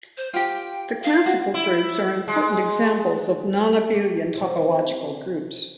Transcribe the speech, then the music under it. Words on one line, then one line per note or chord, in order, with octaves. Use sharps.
The classical groups are important examples of non-abelian topological groups.
C5
F4 G4 G5
F5
F#4
E4
G#3
G4
C3 C4 C#4